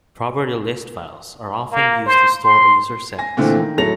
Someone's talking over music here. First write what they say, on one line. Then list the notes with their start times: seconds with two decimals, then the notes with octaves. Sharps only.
Property list files are often used to store a user's settings.
1.72 A#3
2.06 C5
2.43 C6
3.18 G#5 A#6
3.37 A#2 D3 E3 A3 C4
3.58 D#3
3.78 A2 F#3 A4 A#6 F7